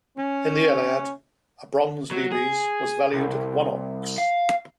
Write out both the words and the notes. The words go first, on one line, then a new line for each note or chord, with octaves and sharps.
In the Iliad, a bronze lebes was valued at one ox.
C#4
F#3
G#4
C2
F5